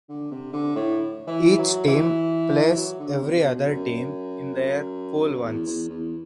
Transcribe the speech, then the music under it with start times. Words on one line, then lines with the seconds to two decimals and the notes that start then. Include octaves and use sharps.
Each team plays every other team in their pool once.
0.09 D3
0.31 C3
0.53 D3
0.75 A2
1.27 E3
1.58 F#3
1.87 E3
2.76 F#3
2.99 D3
3.22 C3
3.43 B2
3.66 F#2
5.33 F#2
5.44 E2
5.67 E2
5.89 E2